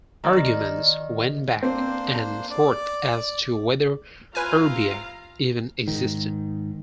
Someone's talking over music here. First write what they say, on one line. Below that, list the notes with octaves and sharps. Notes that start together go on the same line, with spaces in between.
Arguments went back and forth as to whether erbia even existed.
D#3 D5
A#3 C4 D4 C5
D5
C3 E4 F4 B4 F5 G#5 A#5
G#2 D#3